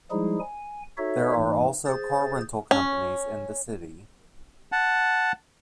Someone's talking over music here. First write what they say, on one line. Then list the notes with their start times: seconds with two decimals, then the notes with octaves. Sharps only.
There are also car rental companies in the city.
0.11 F3 G3 G#3 D#4 E4 G#4
0.40 G#5
0.98 D#4 F#4 A4 C#5 E5
1.35 G#2 E3 A#3 D#4
1.86 G#4 C5 A6
2.71 C#4
4.72 F#5 A5